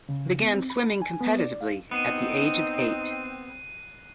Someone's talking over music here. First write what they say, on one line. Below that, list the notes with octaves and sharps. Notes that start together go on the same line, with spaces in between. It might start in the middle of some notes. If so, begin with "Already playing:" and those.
He began swimming competitively at the age of eight.
C#3
B3
C4
B5
G#5
B3
D5
F5
B3 C4 D#4 F#6 C7 D#7